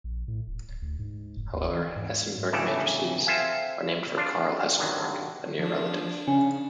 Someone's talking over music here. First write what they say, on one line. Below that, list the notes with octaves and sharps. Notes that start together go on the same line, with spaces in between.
However, Hessenberg matrices are named for Karl Hessenberg, a near relative.
A#1
A2
D#1
D1
D2
G#2
F1
D#2
E3
G#2
G1 A2 C#3 E3 A4 D5
C4 F4 A4 E5 F5 G#5
D4 F4
G2 D3 D#3 F#3
F3 D4
C#3 C#4 G#5